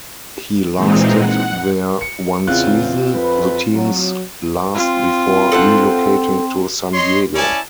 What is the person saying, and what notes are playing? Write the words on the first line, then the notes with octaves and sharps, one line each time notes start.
He lasted there one season, the team's last before relocating to San Diego.
A#2 E3 G#3 C4 D#4
F#5
C#7
E2 C#3 E3 C4 F4 F#6
F2 B4
F#3
C4 F4
A4 C5 F#5
C#5 D#5 C6
C#4 E4 D5 G#5 A5